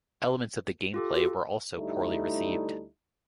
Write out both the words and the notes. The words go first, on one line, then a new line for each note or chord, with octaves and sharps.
Elements of the gameplay were also poorly received.
F4 G4 A4
F#4
D2 G3 A3 D#4 E4